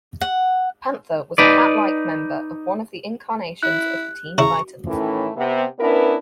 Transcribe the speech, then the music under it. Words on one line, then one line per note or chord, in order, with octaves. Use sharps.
Pantha was a cat-like member of one of the incarnations of the Teen Titans.
F#5
D#4 B4 D5
E4 F#6
C#3 E4 A#5 C#6
A2 D#3 E3 A3 C#4 E4
C3 B3
B3 C#4 D4 E4 A#4 B4